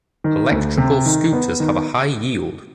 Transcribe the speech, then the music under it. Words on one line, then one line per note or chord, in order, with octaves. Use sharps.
Electrical scooters have a high yield.
D#3
D2
C3
D#3
B3
D#3